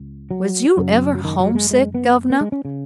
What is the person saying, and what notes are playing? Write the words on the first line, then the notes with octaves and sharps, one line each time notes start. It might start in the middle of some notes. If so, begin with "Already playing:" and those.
Was you ever homesick, governor?'
Already playing: C#2
F#3
F#1 F#2 C#3 F#3
F#3
D#3
F#3
G#3
G#3
B3
B3
G#3
C#4
C#3